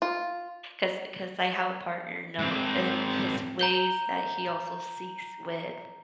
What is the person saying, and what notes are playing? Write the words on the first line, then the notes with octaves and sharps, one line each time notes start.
'cause 'cause I have a partner, no, and his ways that he also seeks with,
F4
G#2 C4
A#5 G6 G7